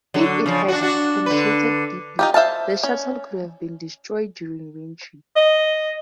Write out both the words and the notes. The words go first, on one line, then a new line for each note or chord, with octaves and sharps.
If it had penetrated deeply the Shuttle could have been destroyed during reentry.
D3 F#3
C#3 F3
D4 F#4
D4 F#4
D3 B4
D#4 F4 G4
C5 E5 F5 A5
C#4
D#5